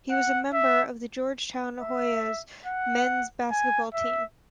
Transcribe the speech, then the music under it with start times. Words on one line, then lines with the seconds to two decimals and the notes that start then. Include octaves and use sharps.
He was a member of the Georgetown Hoyas men's basketball team.
0.10 F#5
0.53 E5
1.81 E5
2.66 F#5
3.51 G#5
3.94 E5